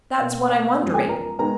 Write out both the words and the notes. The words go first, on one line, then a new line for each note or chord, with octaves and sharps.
That's what I'm wondering.
B2 A#3 F5
F5
F#2 F3 G#3 B3
G#4 G#5
A#4 A#5
D#3 G#3 B3 A#4 A#5